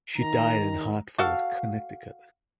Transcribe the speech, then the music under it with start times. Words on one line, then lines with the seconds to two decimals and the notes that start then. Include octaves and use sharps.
She died in Hartford, Connecticut.
0.18 D#3 A#5
1.18 F#4 A4 F5